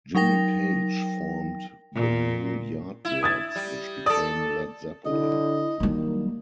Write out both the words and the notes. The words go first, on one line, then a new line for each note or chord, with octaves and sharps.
Jimmy Page formed "the New Yardbirds", which became Led Zeppelin.
F#3 D#4 A#4 G5 A#6
A#2
E4
D#6 G#6 A6
G3
A4 D5 D#6
D3 E4 D#5
D#3 F#3 G3 A#3